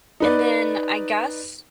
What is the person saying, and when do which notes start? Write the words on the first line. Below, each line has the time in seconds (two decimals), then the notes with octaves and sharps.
and then I guess
0.20 D#4 B4 D5